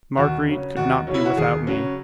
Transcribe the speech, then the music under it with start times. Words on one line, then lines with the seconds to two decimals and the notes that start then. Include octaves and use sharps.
Marguerite could not be without me.
0.17 D#2 F#4
0.47 C#3 F#3 C#4
0.77 D#2 F#4
1.07 C#3 F#3 C#4
1.14 E4
1.25 F#4
1.37 D#2 G#4
1.66 C#3 F#3 C#4